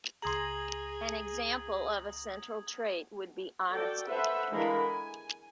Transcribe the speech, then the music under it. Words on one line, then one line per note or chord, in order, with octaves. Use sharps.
An example of a central trait would be honesty.
C#2 G#4 A#5 C6 D#6 G#6 A#6 F#7
F#4 A4 D5 G5
A4 B4 C5 E5 F#5
D3 E3 G#3 A#4 F5 B5
G#5